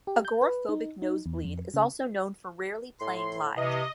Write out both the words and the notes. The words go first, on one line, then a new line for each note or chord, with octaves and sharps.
Agoraphobic Nosebleed is also known for rarely playing live.
G4
G6
B4
D#4
D#4
E2
F2
C#3
A2 C6
C3 E3 D#5